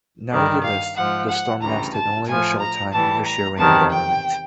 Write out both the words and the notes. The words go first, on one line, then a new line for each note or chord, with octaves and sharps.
Nevertheless, the storm lasted only a short time in the shearing environment.
G2 D#3 G3
F5
G#2 F3 F#5
F#5
D2 C#3 E3 G3 A#5
A5
A2 F3 G#5
A#5
A2 E3 G3 A5
A#5
E2 C3 D#3 A5
G5